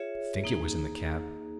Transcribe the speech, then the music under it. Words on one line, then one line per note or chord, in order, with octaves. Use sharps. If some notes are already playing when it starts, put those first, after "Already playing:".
I think it was in the cap.
Already playing: F4 G#4 C#5 E5
A#3 D#4 G#4